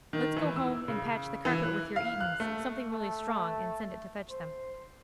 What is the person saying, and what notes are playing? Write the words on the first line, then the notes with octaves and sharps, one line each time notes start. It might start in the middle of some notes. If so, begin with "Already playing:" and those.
Let's go home and patch the carpet with your Etons--something really strong--and send it to fetch them.'
D#3
E3
E6
C#3
E3
F#6
F5
F#6
A3
A3
C5